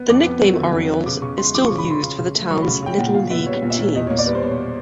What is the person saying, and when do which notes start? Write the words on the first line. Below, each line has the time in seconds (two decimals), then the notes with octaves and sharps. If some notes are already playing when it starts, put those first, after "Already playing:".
The nickname "Orioles" is still used for the towns' little league teams.
Already playing: B3
0.10 F2 D6
0.26 B3
0.42 F#3
0.58 D3
0.74 F2
0.90 B3
1.06 C#3 D6
1.22 C#3 C#6
1.38 G#3 C6
1.54 F3 D6
1.66 C#3 C#6
1.78 B5
1.87 C#3 C6
2.03 C#3
2.18 C#3
2.34 A3
2.50 F#3 C#6
2.62 C#3 B5
2.82 C#3 G5
2.98 A#2 F#5
3.14 A#2 F5
3.30 B3 E5
3.47 G3 C#5
3.63 A#2
3.70 E5
3.79 A#2
3.95 E2 D#5
4.07 A#3 C#5
4.19 D5
4.27 G3 B4
4.35 C5
4.43 B2 C#5